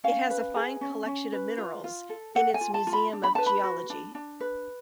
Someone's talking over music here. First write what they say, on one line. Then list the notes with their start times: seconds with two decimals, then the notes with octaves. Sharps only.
It has a fine collection of minerals in its museum of geology.
0.04 C#4 F5
0.30 B4
0.55 G#4
0.81 C#4
1.06 C#4
1.33 B4
1.58 F4
1.84 F4
2.09 A4
2.35 A4 F#5
2.54 G#5
2.61 F4
2.74 A5
2.87 F4
2.93 B5
3.13 D4
3.23 B5
3.35 B4 A5
3.46 B5
3.64 F#4
3.90 D4
4.15 D4
4.40 B4